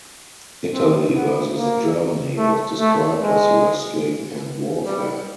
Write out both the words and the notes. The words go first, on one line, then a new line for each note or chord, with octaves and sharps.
Italy versus Germany was described as 'wrestling and warfare'.
C4
B3
A#3
A3
A3
G#3
G3